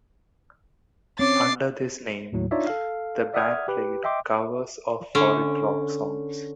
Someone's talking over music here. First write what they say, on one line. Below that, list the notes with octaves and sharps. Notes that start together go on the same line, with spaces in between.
Under this name, the band played covers of foreign rock songs.
C4 C#4 C#5 D6 A6 C7
D#2 A2 F#3
D4 D#4 F4 C#5 D5 E5
A4 F5
D5 E5 F#5 D#6 F6 G#6
G4 B4
D#5 E5 G5 C6 D6
D3 C#4